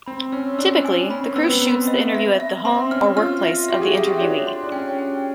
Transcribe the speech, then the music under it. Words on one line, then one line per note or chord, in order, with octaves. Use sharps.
Typically the crew shoots the interview at the home or workplace of the interviewee.
C4 B5
C#4 E6
D4 E6
G#5
C#4 B5
C4
B3 E6
B3
C4 B5
D#5
E5
E5
C4 C6
C#4 F6
F4 F6
E5
F#4 E5
G4
G#4
G4 E5
F#4
D4 C#5
C6
D4
C#4 G5
G5